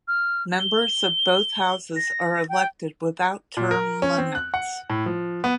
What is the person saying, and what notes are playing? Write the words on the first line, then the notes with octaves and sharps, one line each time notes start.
Members of both houses are elected without term limits.
F6
G7
A#6
G5
A#2
A#4
C#4
C4
F#6
F#5
A2
F3
B3